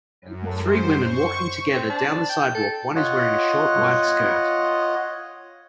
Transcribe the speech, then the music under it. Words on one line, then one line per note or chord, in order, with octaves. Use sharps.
Three women walking together down the sidewalk, one is wearing a short white skirt.
F#2
C5
C#6
C4
D4
G5
A4
F4 C#5 D#5 F#5